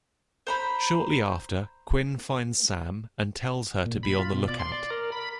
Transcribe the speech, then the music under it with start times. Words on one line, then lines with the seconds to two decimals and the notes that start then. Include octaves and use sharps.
Shortly after, Quinn finds Sam and tells her to be on the lookout.
0.47 C5 A#5 B5
3.86 A#2
4.03 B5
4.19 F4
4.33 B2
4.48 D5
4.59 C6
4.72 D5
4.90 A#4
5.12 B5